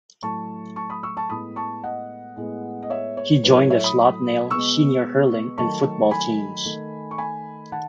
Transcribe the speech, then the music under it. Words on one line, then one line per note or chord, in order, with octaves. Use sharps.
He joined the Slaughtneil senior hurling and football teams.
A2 F#3 A3 A5 C#6
A5 C#6
B5 D#6
C#6 E6
A5 C#6
A2 G#3 B3 B5 D#6
A5 C#6
D#5 F#5
A2 G#3 B3
D#5
C#5 E5
C#5
A2 F#3 A3 B4
C#5
C#5 E5
B5 D#6
B2 G#3 B3 C#6 E6
D#3 F#3 A3 A5 C#6
G#5 B5
D#3 A3
C#6
G#5 B5
D#3 F#5 A5